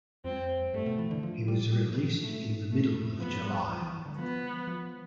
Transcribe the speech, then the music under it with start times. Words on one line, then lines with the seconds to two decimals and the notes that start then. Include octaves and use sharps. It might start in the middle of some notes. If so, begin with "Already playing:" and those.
He was released in the middle of July.
0.25 F2 C4
0.74 G2 A3
0.86 B2
0.98 E3
1.11 D3
1.23 F3
1.48 G3
1.72 G3
1.86 F3
1.99 E3
2.12 F3
2.21 A3
2.71 A3
3.20 F3 B3
3.44 G3
3.69 F3
3.81 E3
4.06 D3
4.18 F3 B3
4.68 F3